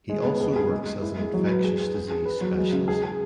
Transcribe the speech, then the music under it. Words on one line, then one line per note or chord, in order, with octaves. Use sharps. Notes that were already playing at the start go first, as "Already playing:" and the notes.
He also works as an infectious disease specialist.
G#3
B3
G#4
G#4
G#3
G#3
E4
G#3
F#3
B4
G#4
G#4
G#4
G#4
B4
F#3
G#3
C#3
G#4
G#4